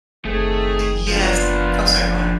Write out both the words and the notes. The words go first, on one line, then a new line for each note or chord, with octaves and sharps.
Yes Oh, sorry. Go on.
F#1 D#3 A3 C4 G#4 A4
F3 B3 D4 F4